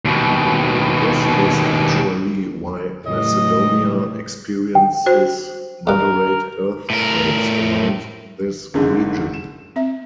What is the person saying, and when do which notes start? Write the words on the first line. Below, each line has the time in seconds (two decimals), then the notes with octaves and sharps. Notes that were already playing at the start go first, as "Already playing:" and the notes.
This is actually why Macedonia experiences moderate earthquakes around this region.
0.05 D#2 B2
3.05 A2 C#3 E3 F#3 G3 A3 D#5
4.75 G5
5.06 F#4 C5
5.87 E2 G2 A#4
6.90 A2 A#4
8.74 F#1 G#2 D3 C#4 G#4
9.34 E7
9.76 C4 E5